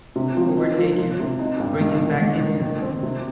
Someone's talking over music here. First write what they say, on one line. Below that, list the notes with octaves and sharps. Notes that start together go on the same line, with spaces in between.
Overtake him; bring him back instantly!
C3
F3
D#4
F3
F3
C3
D#4
G2
D#3
D#3
D#3
D#3
D#3
C4
C3